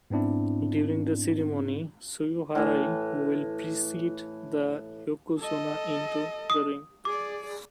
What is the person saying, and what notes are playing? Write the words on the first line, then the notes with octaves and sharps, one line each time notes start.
During the ceremony the "tsuyuharai" will precede the "yokozuna" into the ring.
G#2 B3 C4 D4 E4
A2 E3
A4 D#5
D#6
G#4 D5 D6